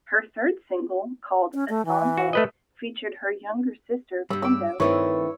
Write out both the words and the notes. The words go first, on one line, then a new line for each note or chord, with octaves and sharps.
Her third single called ‘Asante’ featured her younger sister Pendo.
C#4
A3
E3
F#4
A3 B4 D#5
G2 G3 E6
D6 E6
G2 D#3 A3 C4 E4 B4 C#5